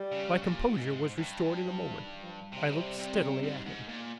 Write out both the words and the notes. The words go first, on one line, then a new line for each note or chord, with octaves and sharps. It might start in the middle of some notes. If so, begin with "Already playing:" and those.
My composure was restored in a moment. I looked steadily at him.
Already playing: G3
C#3
A#2
G#2
G2
F3
F3
D#3
F3
C3 G3
C#3
C3
C3
G#2
G#2
A#2